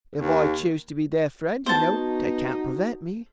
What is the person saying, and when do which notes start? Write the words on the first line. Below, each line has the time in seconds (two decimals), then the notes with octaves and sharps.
If I choose to be their friend, you know, they can't prevent me.
0.16 D#2
1.66 B3 D#4 F#4 C5 A5